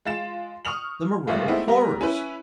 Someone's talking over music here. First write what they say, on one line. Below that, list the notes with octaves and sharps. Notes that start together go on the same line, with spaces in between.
"The Moreau Horrors!"
G#3 F4 A6 E7
C#6 D#6 F6 F7 F#7
G#1 G2 A3 F4
G#3 A3 B3 C4 D#4 E4
G3 B3 A#5
C#4 E4 B4